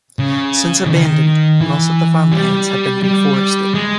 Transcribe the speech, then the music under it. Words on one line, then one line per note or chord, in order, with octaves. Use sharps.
Since abandoned, most of the farmed lands have been re-forested.
C#3
E3
D#3
E3
G3
G3
G#3